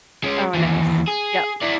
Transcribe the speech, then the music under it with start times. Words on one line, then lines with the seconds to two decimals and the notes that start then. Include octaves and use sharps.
Oh, nice. Yep.
0.24 G#3 C#4
0.54 D#2 E3
1.07 G#4
1.62 E4 D5